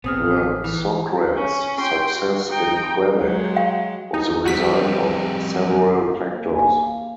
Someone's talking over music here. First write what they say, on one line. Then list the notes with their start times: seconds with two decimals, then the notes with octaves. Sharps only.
The Socreds' success in Quebec was the result of several factors.
0.04 A1 B3 C4 G#4 G#5 D#6 F6
0.64 E3
1.36 C#4
1.78 G5 C6
2.14 F#4
2.50 D#4 G5
3.17 F#3 G#3
3.56 F5 G5
4.14 D#4
4.45 F2 G3 F#4 B6
6.13 A#3
6.33 G4
6.50 G#5
6.83 F5